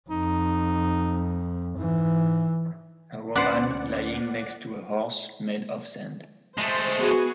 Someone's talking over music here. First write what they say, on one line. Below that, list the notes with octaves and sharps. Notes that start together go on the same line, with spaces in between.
A woman lying next to a horse made of sand.
F2 D#4
G#2 E3
D2 C#4 B4 C5 D5 F#5
G#3 A3 C5
B3 F#4 G#4